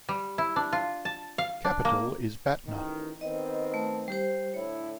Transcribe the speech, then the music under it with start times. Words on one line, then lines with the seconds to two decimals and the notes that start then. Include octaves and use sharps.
Capital is Batna.
0.09 G3
0.38 E4
0.56 D4
0.73 F4
1.05 A5
1.38 F5
1.65 D4
1.85 A#3
2.67 A1 D#3
3.21 D#3 B3 C4 D#5
3.74 A3
4.08 G3 G4 C5
4.54 A2 D3 E4 C#5